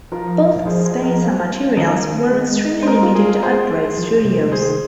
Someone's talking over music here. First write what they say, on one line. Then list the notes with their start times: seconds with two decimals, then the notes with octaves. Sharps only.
Both space and materials were extremely limited at Bray Studios.
0.12 F3 F4 A#4
0.66 G#4 C5
0.85 G#4 C5
1.03 A#4 D#5
1.22 C5 F5
1.77 D#3 A#4 D#5
2.32 G#3
2.82 C5
2.87 A#4 D#5
3.03 F4
3.15 G#4
3.29 A#4
3.43 G#4 C5
3.98 F3
4.25 C3
4.52 D#3 G#4 C5